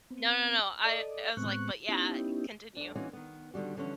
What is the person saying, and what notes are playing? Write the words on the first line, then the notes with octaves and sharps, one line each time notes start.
No no no, I I was like but yeah, continue.
B3 C4
A4 D5 D#5
A2 G#3 B3 C4 C#6 F#6
B3 C#4 D#4 E4 G4
F2 D4
E3 A#3 C4 C#4 D#4 F#4
D#3 B3
D3 D#3 G3 F#4
D3 E3 F3 B3 C#4